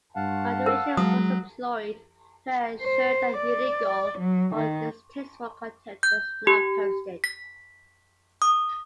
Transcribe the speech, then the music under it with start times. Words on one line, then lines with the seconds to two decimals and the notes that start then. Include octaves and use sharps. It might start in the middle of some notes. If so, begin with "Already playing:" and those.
Moderation was employed to ensure that illegal or distasteful content was not posted.
0.16 G2 F5 F#5 A5
0.66 A#4
0.97 F#3 G#3 D#6
2.82 C5
3.37 D5
4.19 F#3
4.54 D#3
6.03 G6
6.47 G4
7.24 B6
8.42 D#6